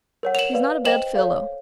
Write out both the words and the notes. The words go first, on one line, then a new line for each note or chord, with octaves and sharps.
He's not a bad fellow.
A#4 C#5 F#5
F7
E7 F#7
B4 D5 F5
C5 D#5 G5 E7 F#7
A4 C#5 F5